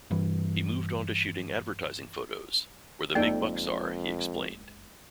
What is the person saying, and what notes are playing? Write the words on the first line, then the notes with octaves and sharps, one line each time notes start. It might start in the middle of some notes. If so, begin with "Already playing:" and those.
He moved on to shooting advertising photos, "where the big bucks are," he explained.
G2 E3
F#1 F2 G#3 A#3 D#4 A4 D5 G5